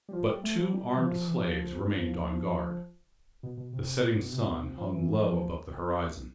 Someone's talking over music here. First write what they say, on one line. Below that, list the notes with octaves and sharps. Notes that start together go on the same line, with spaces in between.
But two armed slaves remained on guard. The setting sun hung low above the horizon.
G3
F3
G3
A3
F3
G3
E3
F3
E3
F3
F3
B2
B2
C3
B2
B2
C3
B2
C3
F3
E3
F3